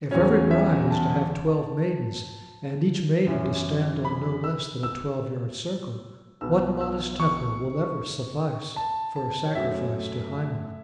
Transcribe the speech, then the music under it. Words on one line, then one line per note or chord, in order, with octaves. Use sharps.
If every bride is to have twelve maidens, and each maiden to stand on no less than a twelve-yard circle, what modest temple will ever suffice for a sacrifice to Hymen?
E2 C#3 F#3 C#4 C#5
E5
A5
F#2 E3 C#4
B5
E6
E6
B1 B2 B3 E6
E6
C#6
A5
A5
C#5
F#2 F#3 A3 C#4 E5